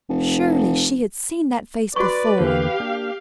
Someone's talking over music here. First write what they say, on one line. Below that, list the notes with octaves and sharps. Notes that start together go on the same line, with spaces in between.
Surely she had seen that face before!
F1
F#4 B4 D5 C#6
E2 D3 A#3 G4 F5
A#3 D4